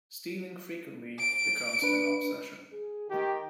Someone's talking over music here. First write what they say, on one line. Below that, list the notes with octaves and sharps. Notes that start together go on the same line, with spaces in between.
Stealing frequently becomes an obsession.
D7
D4 B4
G#4
D#3 G4